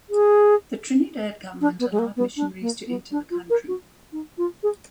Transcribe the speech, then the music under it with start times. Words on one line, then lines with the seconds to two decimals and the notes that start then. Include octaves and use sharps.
The Trinidad government allowed missionaries to enter the country.
0.10 G#4
1.61 D4
1.79 B3
1.91 G#3
1.99 A#3
2.16 B3
2.37 D4
2.61 A#3
2.87 B3
3.12 D4
3.30 F4
3.50 A#4
3.68 F#4
4.12 D#4
4.38 F4
4.63 G#4